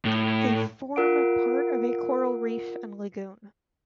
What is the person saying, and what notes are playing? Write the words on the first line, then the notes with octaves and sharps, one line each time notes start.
They form part of a coral reef and lagoon.
A2
F4 A#4 F#5 D7